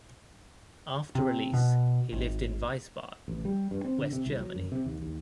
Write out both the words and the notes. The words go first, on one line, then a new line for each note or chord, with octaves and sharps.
After release he lived in Wiesbaden, West Germany.
C3
B2
G#1
A1
G3
G2
C4
D3
C3
C2
F#3
F#2
C3
D#2
D#2